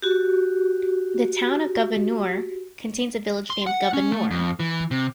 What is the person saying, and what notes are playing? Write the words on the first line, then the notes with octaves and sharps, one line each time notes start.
The Town of Gouverneur contains a village named Gouverneur.
F#4 G4
C6
F#5
C#4
A3
F2
E3
C3